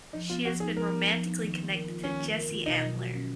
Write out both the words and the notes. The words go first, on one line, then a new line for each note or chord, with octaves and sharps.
She has been romantically connected to Jesse Antler.
F3 D#4
B3 F4
F3 F#4
D#4 G#4
F3 A#4
B3
F3
D#4
D#3
A#3
A#4
F4
D#3 C#4
A#3
A#4
F4
B2 D#4
F#3
F#4
C#4